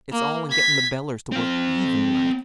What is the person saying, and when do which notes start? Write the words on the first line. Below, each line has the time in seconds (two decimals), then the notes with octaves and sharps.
It's all in gettin' the bellers to work even like.
0.12 A#3
0.51 G#6 B6
1.32 C4 F5